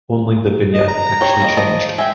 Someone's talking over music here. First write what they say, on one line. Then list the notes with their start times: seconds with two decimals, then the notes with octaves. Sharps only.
Only the vignette actually changed.
0.74 D#5
0.88 A#5
1.21 G4 C#5
1.40 G3 A#3 D#5
1.57 F3 D#5
1.98 G#3 E5 G5